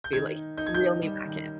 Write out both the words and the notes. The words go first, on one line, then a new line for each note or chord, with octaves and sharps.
be, like, reel me back in.
G6
D#3 G#6
D#4
D#4 G6
G#6
G6
D#4
G3
D#3